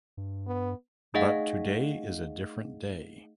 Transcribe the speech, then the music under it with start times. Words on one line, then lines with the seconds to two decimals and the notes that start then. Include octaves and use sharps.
But today is a different day.
0.17 G2
0.47 B3
1.14 A3 D#4 G#4 D#5 F5 F#5